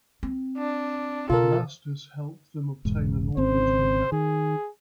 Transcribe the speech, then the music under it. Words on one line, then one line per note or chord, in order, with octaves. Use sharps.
Blastus helped them obtain an audience with Herod.
C4
D4
B2 F4 A4 A#4
E1 G#2
G#1 C#3 C4 C5
D#3 G#4